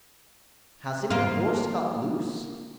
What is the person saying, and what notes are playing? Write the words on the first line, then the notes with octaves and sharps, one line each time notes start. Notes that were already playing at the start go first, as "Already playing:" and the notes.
"Has any horse got loose?"
A#3 F4